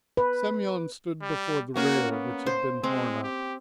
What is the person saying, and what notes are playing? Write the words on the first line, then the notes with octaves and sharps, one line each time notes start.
Semyon stood before the rail which had been torn up.
B4
G3
A#3 C#4 F#4 A#4
B3
C5
G#3 C4
G4